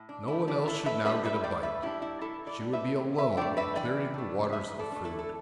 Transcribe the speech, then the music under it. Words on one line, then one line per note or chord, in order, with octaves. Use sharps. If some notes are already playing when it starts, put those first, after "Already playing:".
No one else should now get a bite; she would be alone in clearing the waters of food.
Already playing: A2
D4
G3 D4 E4
D4 G4
A2 E4 A4
B4 E5
G3 D4 B4 E5
B4 E5
A2 D5 G5
B4 E5
G3 D4 E4
E4
A2 E4 A4
A4 D5
G3 D4
B4 E5
E3
B4 E5
A3 D4 D5 G5
B4 E5
E3 D5 G5
A3 D4
E3 B4 E5
A4 D5
A3 D4
E4 A4
A4